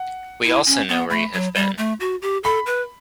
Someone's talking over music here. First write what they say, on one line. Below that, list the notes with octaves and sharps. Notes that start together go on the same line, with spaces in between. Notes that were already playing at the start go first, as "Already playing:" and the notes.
We also know where you have been.
Already playing: F#5
E4
C#4
B3
A3 B5
F#3
G3
A3
F#4
G4
A4 B5
B4